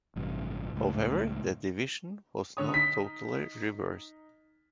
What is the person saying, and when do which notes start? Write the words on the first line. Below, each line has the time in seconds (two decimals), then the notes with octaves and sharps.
However, the division was not totally reversed.
0.16 A1 G2 C3
0.73 C#2 A2
2.57 D3 C#5 D#6
2.74 D#4 B6